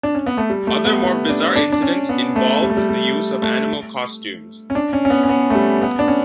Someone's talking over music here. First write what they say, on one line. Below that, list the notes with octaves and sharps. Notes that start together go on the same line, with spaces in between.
Other more bizarre incidents involved the use of animal costumes.
D4
C#4
B3
A3
G3
A3
B3
B3
D4
D4
D4
C#4
B3
A3
G3
A3
G3
G3
A3
C#4
D4
C#4
C#4
B3
C#4
B3
A3
G3
B3
D4
C#4